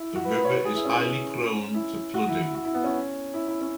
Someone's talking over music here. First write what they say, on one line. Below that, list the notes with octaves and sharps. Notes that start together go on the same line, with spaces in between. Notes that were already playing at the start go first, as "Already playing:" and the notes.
The river is highly prone to flooding.
Already playing: E4
F#4
B4
B4
C#5
B4
G#4
E4
C#4
C#4
E4
F#4
E4
E4
F#4
E4
B3
C#4
E4
E4
C#4